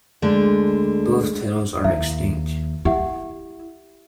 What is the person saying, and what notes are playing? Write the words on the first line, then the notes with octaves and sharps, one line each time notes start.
Both titles are extinct.
D2 D3 G#3 D4
D#2 E4 E5 F5
E4 G4 E5 F#5